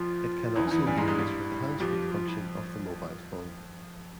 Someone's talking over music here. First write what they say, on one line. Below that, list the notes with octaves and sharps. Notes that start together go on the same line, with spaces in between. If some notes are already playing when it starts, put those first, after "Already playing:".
It can be also used for the handsfree function of the mobile phone.
Already playing: F2 F3 F4
F4
E2 E3 E4
C#4
E2 E3 E4
E4
G2 G3 C#4
G#2 G#3
E4
G#2 G#3
G2 G3
F2 F3 G4
F4
E4